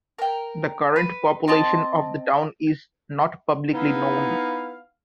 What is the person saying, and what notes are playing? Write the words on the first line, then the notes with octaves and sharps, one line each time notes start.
The current population of the town in not publicly known.
A#4 G5
B4
C4 D#5 A5
B3 D#4 E4 F5